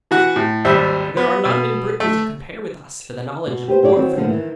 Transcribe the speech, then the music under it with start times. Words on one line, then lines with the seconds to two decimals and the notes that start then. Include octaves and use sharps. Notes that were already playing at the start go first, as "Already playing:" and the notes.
For there are none in Britain to compare with us for the knowledge of warfare.'
0.11 E3 F#4 F#5
0.36 A2
0.65 G#1 D#2 G3 C5 E5
1.17 B3
1.45 B2
2.00 A3
3.47 B2
3.68 G4 B4 C5
3.82 G4 A4 C#5 D5
3.96 D#3 E3 C4 F#4 C#5
4.16 A2 D3 F3 A#3 B3
4.29 D#3 E3